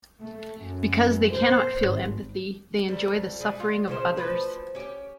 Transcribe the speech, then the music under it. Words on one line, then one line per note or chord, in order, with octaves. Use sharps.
Because they cannot feel empathy they enjoy the suffering of others.
A3
F#2
C5
G#1
F2 G3
G3 G#4
F4
C#3 G4 C5
D2 F3 B4
C#4 G4